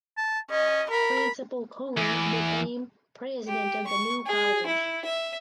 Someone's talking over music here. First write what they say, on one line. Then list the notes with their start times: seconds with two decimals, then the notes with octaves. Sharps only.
Principal Koons became president of the new college.
0.17 A5
0.51 C#4 D#5
0.91 A#4 B5
1.97 E2
3.47 G4
3.87 C#6
4.26 G#4
4.66 E4
5.05 E5